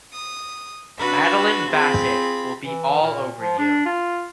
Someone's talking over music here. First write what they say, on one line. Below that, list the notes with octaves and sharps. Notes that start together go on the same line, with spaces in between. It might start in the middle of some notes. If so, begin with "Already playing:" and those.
Madeline Bassett will be all over you.
D#6
D4 F#4 B4 E5 B5
C4 F4 G#4 B5
E3
A#2
F3
D4
F4